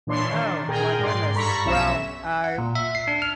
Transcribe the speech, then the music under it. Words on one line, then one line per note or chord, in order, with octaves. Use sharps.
Oh, my goodness, well, I
A#2 E3 D4 C#5 C6
D#3 D4
A#2 G#4 A#4 G5
G#2 D5 C6
G2 A4 A#5 B5 C#6 B6
B1 C#4 E5 E7
F#5
A#2
E5
C7
D4
F6